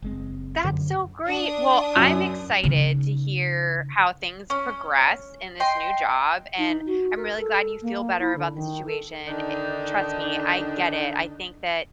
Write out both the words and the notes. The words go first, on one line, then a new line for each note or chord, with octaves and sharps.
That's so great. Well, I'm excited to hear how things progress in this new job, and I'm really glad you feel better about the situation, i it trust me, I get it. I think that
F#1 G#3 C4
F#2 D3
D4 D#6
F#2
C#3 D#4
C#4
D#5 G5 C6
D#4
F#4
A#4
A4
A#3
E4
D3
D#3
A4
D3 D#3 D4 D#4